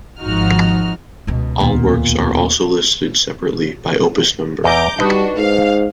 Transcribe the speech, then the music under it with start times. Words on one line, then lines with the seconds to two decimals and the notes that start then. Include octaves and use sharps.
All works are also listed separately, by Opus number.
0.21 G#1 F3 D#4 F#4 F6
1.27 C#2 B2
1.60 D#2 A#2 B3
4.64 E2 D#5 A#5 D6 G6
4.99 G3 D4 D#4 F#4 B4
5.37 G#2 F5